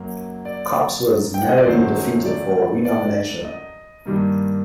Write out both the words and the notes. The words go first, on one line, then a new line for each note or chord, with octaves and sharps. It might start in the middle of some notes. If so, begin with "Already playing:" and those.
Copps was narrowly defeated for renomination.
Already playing: F#2 F#3 A#3
D5
G5
F#5
D#5
D5
F#2 D#3 F#3 A3 C5
D5
D5
D#5
G2 D#3 G3 A#3